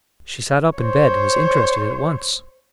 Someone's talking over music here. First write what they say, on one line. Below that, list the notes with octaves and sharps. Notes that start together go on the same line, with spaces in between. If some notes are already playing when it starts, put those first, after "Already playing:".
She sat up in bed, and was interested at once.
C5 C#5